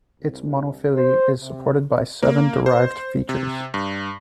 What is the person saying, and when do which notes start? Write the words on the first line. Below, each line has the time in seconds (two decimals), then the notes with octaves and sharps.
Its monophyly is supported by seven derived features.
0.19 C2
0.94 C5
1.40 C3
2.22 A#3
2.66 C5
3.29 C3
3.74 G2